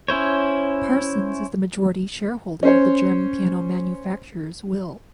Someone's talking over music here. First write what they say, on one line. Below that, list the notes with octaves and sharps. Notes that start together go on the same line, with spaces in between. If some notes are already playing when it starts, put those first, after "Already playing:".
Parsons is the majority shareholder of the German piano manufacturers Wilh.
C#4 E4 C5 C#5
C#4 C5 C#5